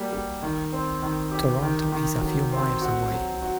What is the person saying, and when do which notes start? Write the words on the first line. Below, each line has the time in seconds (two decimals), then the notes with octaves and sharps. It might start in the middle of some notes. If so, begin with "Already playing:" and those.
Toronto is a few miles away.
Already playing: G3 A#3 F#4
0.13 G3
0.42 D#3
0.73 C4
1.02 D#3
1.32 G4
1.62 D#3
1.92 D#3
2.21 F#3
2.52 C4
2.82 F#4
3.11 F#3
3.42 F#4